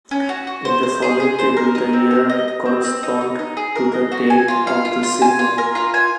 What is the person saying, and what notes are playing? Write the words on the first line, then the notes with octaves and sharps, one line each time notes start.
In the following table, the years correspond to the date of the ceremony.
C#4
F#4
F#4
C5
C5
G#4
G#4
C5
A#4
D#4
C4
A#4
D#5
D#5
C4
C4
D#4
D#4
D#4
G#4
A#4
D#5
F#4
G#5
F4
F5
F4
F4
G#5
F4
A#4
F4
G#5